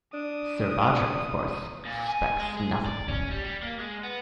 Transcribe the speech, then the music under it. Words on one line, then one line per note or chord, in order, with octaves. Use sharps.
Sir Roderick, of course, suspects nothing.
D4 D#6
A#2
G#5
G#3
G#4
D5
C#4
G3
G3
A#3
G#3
B3